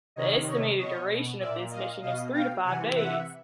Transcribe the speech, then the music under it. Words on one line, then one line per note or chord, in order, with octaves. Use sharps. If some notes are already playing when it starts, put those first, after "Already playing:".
The estimated duration of this mission is three to five days.
C3 D#3 C#5 D#5
C#5 D#5
B2 C#5 D#5
A#2 D5 E5
D#5 F5
B2 D#5 F5
F5 G5
C3 E3 F#5 G#5
E5 F#5